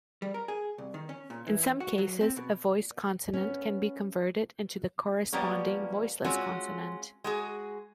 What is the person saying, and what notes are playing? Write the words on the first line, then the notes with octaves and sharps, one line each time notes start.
In some cases, a voiced consonant can be converted into the corresponding voiceless consonant.
G3
A#4
G#4
C2
D#3
C#4
A#2
E3
F#4
F#3
C4
B2
B3 C#4
F3 G3 A#3 B3 C#4
G#3 C4 C#4 F4 F#4
G#3 F#4 G#4